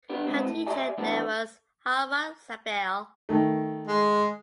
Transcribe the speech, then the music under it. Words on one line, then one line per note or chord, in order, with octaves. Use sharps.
Her teacher there was Hartmut Zabel.
B3 D4 G4
C3 G#3 B3 C4
A2
G4 D5 E5 G#5
E3 G3 A3 B3 D4
D#3 A3
G#3